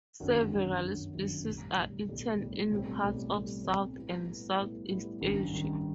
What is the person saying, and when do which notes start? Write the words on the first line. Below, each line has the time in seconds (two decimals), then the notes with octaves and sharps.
Several species are eaten in parts of South and Southeast Asia.
0.20 G1 F#2 D#3 F#3
0.52 G1 F#2 D#3 F#3
0.83 G1 F#2 D#3 F#3
1.14 G1 F#2 D#3 F#3
1.45 B1 A2 G3
1.77 B1 A2 G3
2.08 B1 A2 G3
2.39 B1 A2 G3
2.71 B1 A2 G3 C4
3.02 B1 A2 G3 C4
3.33 B1 A2 G3 C4
3.64 B1 A2 G3 C4
3.96 A2 G3 B3 E4
4.27 A2 G3 B3 E4
4.58 A2 G3 B3 E4
4.89 A2 G3 B3 E4
5.21 A1 G2 D#3
5.52 A1 G2 D#3